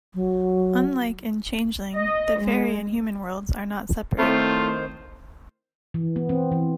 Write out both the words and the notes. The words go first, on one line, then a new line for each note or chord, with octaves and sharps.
Unlike in Changeling, the faerie and human worlds are not separate.
F#3
D#5
G#3
D#3 A3 C4 E4 F4 C5
E3
B3
C4
E3